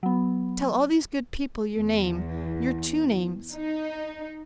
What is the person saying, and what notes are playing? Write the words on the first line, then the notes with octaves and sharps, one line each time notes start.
Tell all these good people your name; your two names!
F#3 B3
E2
D#4